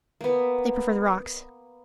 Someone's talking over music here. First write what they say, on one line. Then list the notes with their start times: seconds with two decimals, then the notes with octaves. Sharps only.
They prefer the rocks.
0.21 A#3 B3